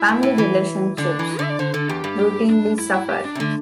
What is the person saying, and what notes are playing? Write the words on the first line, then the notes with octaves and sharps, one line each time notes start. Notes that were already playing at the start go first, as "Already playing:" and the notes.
Family relationships routinely suffer.
Already playing: E4
G2
A2
E3
D3 D4
E3
D3 E5
D5
D3 C5
D3 A4
E2 G4
G2 G4
G4
D4
E4
E4
G4
D4
C3
D3 A3